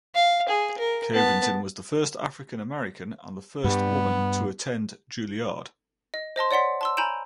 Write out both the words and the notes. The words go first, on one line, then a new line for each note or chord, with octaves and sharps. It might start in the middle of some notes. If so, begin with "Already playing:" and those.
Covington was the first African American and the first woman to attend Juilliard.
F5
G#4
A#4
B3 A5
G2 G3 B3
D#5
C5 D#5 A5 C6
C#5 D5 F#5 C6 B6
A5 C6 E6
G#5 A#5 B5 G6 D7 E7